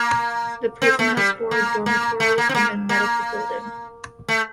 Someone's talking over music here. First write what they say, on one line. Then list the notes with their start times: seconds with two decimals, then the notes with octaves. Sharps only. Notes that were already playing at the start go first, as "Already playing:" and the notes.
The prison has four dormitories and a medical building.
Already playing: A#3
0.82 C4
0.99 A3
1.17 G3
1.51 A#3
1.86 A#3
2.20 A3
2.38 A#3
2.49 C4
2.55 A#3
2.89 A#3
4.28 A3